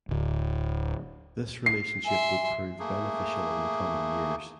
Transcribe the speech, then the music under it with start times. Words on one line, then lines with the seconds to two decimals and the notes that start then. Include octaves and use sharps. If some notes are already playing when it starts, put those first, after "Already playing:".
This relationship would prove beneficial in the coming years.
0.09 D1 D2
1.66 C7
2.05 E5 G#5 C6
2.79 A3 A#3 G#4